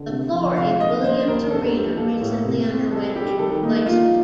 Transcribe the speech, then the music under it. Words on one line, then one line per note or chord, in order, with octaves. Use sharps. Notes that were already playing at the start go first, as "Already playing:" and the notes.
The floor in Williams Arena recently underwent a replacement.
Already playing: D3
C3
F3
C3 F5
D#3 D#5
A#3 C5
D#2 A#4
G2 A4
G4
A#3 A4
A2
C3
C4
G3 A4
G3 G4
D#3 A4
A#3 D#4
A#3 F4